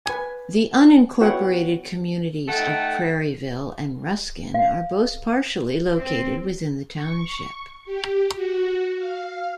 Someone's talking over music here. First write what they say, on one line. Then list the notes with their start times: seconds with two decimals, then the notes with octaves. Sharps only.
The unincorporated communities of Prairieville and Ruskin are both partially located within the township.
0.06 B4 G#5
1.21 B3 E4 F#4 C#5 F#5 G5
2.48 A3 D#4 A4 F#5 G5 A5
4.54 F5
5.97 C4
6.94 C#6
7.85 G4
8.34 F#4
8.96 F5